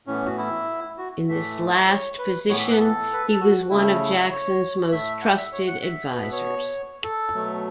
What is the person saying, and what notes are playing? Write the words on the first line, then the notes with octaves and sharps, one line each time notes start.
In this last position he was one of Jackson's most trusted advisers.
A2 E3 B3 C#4
F#4
E4
F#4
A2 E3 A3 E5
E5
C#5
B4
A2 E3 B3 C#5
E5
B4
A4
B4
A4
F#4
C#3 A3 E4
C#5
A2 A3 E5
F#5
E5
C#5
F#5
E5
B2 B3 B4
E5
C#5
A4
B2 F#3 A3